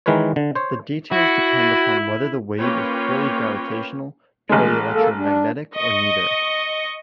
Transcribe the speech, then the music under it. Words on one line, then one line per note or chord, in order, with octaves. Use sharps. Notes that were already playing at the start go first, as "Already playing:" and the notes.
The details depend upon whether the wave is purely gravitational, purely electromagnetic, or neither.
D#3 E3 G#3 A#4 B4 C#5
D3
C5 C#5
E4 F#4
A#3 C#4 F4 B4 C#5 G5
A1 G#3
A#3 A4
D4
D#5 C#6